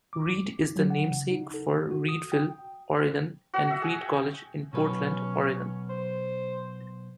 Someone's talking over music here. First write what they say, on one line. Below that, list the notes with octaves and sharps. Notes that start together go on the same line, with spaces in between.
Reed is the namesake for Reedville, Oregon, and Reed College in Portland, Oregon.
D6
F#3
F#5
C#3
D#4
A4
F#4
D#6
G5
F#4 F#5
E5
G#4
G5
B2 F#3 C#4 B4
C5